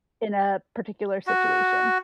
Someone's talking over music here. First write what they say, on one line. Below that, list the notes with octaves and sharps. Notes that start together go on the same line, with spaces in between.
in a particular situation.
F#4